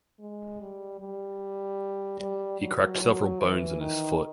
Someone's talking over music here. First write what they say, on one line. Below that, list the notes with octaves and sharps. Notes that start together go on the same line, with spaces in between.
He cracked several bones in his foot.
G#3
G3
G3
G3
F#3
F#3
E3
D#3